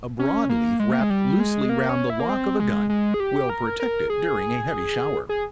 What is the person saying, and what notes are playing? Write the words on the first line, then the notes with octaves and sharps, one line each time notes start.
A broad leaf wrapped loosely round the lock of a gun, will protect it during a heavy shower.
C#4
A#3
G#3
A#3
G#3
G3
G#3
A#3
C#4
E4
A#3
C4
G#3
G#3
G#4
G4
A#4
A#4
G#4
G#4